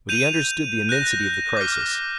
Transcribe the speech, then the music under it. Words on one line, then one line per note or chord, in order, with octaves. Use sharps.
But he understood the immensity of the crisis.
G6 D#7 F7
F#6 G6 A#6
D6 F6